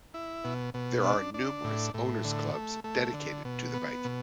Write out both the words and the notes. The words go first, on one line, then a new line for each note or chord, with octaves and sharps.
There are numerous owners clubs dedicated to the bike.
E4
B2
B2
D4
D4
A2
A2
D3
A3
A3
D3
B2
B3
B2